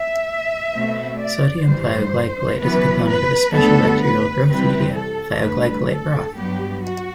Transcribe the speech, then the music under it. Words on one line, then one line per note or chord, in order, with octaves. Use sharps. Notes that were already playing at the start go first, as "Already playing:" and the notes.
Sodium thioglycolate is a component of a special bacterial growth media : thioglycolate broth.
Already playing: E5
B2 A3 C4
D5
G2 E3 G3 C5
F#2 E3 B3 B4
B4
D2 D3 G3 B3 A4
B4
C3 E3 G3 C4 B4
A4
D2 D3 G3 B4
A4
G2 F#3 B3 G4
F#4